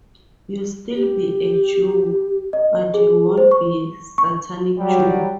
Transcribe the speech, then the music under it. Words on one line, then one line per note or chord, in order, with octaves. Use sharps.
You'll still be a Jew, but you won't be a satanic Jew!
G4
D#5
G#4
C5
C#6
C#6
F#3 G3